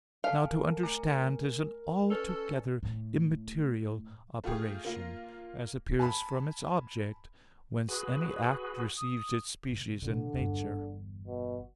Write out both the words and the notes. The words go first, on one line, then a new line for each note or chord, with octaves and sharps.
Now to understand is an altogether immaterial operation, as appears from its object, whence any act receives its species and nature.
A4 F5 G#5 A5
A#4
A3 G#5 A#5
C#4 A4 B4 D5 F6
A2
A3 F4 G4 G#4
A#3 F4 A#6
G#5 A5 B5
F#4 G#4 B4
D#6
G1 B2
B2 D3 E3
G1 E2
B2